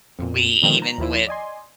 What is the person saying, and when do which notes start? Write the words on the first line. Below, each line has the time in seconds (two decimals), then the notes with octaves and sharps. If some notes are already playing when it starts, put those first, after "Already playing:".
we even with,
0.19 F2 A#2
0.62 B2 D3 D#3 F3 G#3 C4
0.82 A#5
0.98 D#2 F3 E4 C5
1.27 D5 D#5 G#5 C6